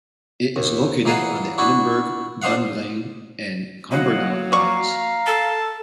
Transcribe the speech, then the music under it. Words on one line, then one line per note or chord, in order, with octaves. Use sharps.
It is located on the Edinburgh-Dunblane and Cumbernauld Lines.
D#2
E3 D#4 G#4 D#5 F5 F#5
D4 E4 F#4
D4 C5 D#5 F5 F#5
F#3 A#3 D#5 F5 F#5
D5 F5 A#5 C#6
A4 A5